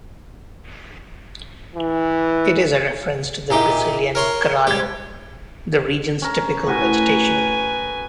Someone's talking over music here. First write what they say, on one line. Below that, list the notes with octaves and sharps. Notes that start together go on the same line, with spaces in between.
It is a reference to the Brazilian Cerrado, the region's typical vegetation.
E3
A#2 D#4 E4 G4 G#4
A#4 C#5 C6
G3 G#3 G4 G#6
C#4 A#4
A2 F#4 B4 G#5